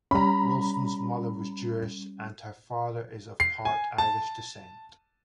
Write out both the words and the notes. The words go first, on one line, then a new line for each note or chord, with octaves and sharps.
Wilson's mother was Jewish, and her father is of part Irish descent.
G3 C#4 A#5 B5
C7
G#5
A5